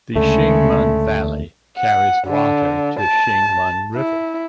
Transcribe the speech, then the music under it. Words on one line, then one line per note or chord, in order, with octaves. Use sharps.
The Shing Mun Valley carries water to Shing Mun River.
D2 C#3 G#3 A3
F#5
D3
A5
E4